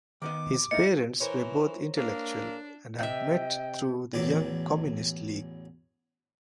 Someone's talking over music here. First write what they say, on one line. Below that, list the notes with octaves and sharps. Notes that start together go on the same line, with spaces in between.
His parents were both intellectual and had met through the Young Communist League.
D#3 B3 D#5 D6
A2 A#3 D#4 D#5 E5 C#7
E3 A#4 C5 C#5
A#3 D4
C3 D#5 E5 G5
A1 E2 F#3 D6